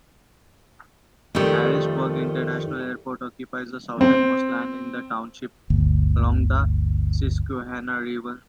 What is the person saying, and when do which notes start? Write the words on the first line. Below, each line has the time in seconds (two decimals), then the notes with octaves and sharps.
Harrisburg International Airport occupies the southernmost land in the township, along the Susquehanna River.
1.35 F2 D#3 G3 A3
4.01 C4
5.70 G1 D2